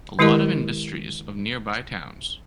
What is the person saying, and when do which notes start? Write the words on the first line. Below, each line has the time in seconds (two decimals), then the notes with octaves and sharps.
A lot of industries of nearby towns.
0.19 D#3 G#3 E4 G4 A#4 D#5